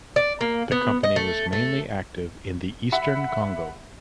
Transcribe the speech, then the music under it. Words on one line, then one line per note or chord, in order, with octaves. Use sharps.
The company was mainly active in the eastern Congo.
D5
A#3
B3
D#5
A3
A3
E5 F#5 B5